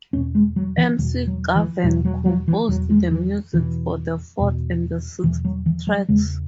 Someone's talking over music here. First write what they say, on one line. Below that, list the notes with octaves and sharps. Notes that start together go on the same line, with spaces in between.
McGovern composed the music for the fourth and sixth tracks.
E2 B2 C#4
G#3
F#3
E3
E2 B2 E3
F#3
E3
E2 B2 F#3
F#3
F#3
E3
E2 B2 F#3
G#3
E3
E2 B2 E3
E2 B2
E2 B2 E3
F#3
E3
F#3
E2 C#3 G#3